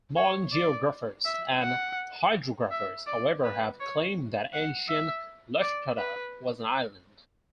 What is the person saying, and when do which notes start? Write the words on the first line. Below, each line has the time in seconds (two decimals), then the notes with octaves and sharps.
Modern geographers and hydrographers, however, have claimed that ancient Lefkada was an island.
0.17 C#5
0.52 D5
1.25 E5
1.62 F#5
2.71 E5
3.06 D5
3.44 B4
3.80 C#5
4.53 F#5
4.89 E5
5.61 D5
5.97 B4